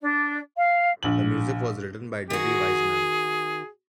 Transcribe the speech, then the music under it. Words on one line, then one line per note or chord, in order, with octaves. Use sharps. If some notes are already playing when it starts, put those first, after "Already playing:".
The music was written by Debbie Wiseman.
D4
F5
A#1 F#7
D#3 F#4 G#4